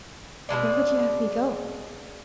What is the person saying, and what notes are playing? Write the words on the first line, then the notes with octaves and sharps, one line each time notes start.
"Where would you have me go?"
B2 F#3 G#3 D5